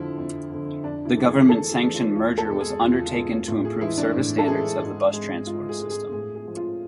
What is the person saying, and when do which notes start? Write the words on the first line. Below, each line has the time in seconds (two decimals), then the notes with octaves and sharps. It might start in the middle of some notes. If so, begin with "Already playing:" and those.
The government-sanctioned merger was undertaken to improve service standards of the bus transport system.
Already playing: F2 D3 F3 E4
0.18 F2
0.50 D3 F3
0.83 F2 D4
1.05 E4
1.17 E3 A3
1.28 G#4
1.49 F2 A4
1.72 G#4
1.83 E3 A3
1.94 F4
2.15 E2 F4
2.38 A4
2.49 B2 G#3
2.61 G#4
2.82 E2 F4
3.08 F4
3.15 B2 G#3 G#4
3.48 A2 F4
3.65 G#4
3.81 E3 G#3 E4
3.98 D4
4.14 A2
4.38 A4
4.48 E3 G#3 G#4
4.81 G#2
5.13 G#3
5.47 G#2 F4
5.69 G#4
5.80 G#3
5.90 G#4
6.13 A2 G#4
6.35 G#4
6.46 F3 G#3
6.57 F4